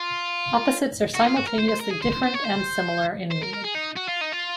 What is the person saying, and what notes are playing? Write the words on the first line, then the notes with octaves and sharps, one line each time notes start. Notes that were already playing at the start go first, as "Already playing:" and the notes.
Opposites are simultaneously different and similar in meaning.
Already playing: F4
F#4
D#4
F4
F#4
A#4
C5
C5
A#4
G#4
C5
C5
C5
C#5
C5
C5
A#4
A#4
G#4
D#4
F#4
F4
D#4
F4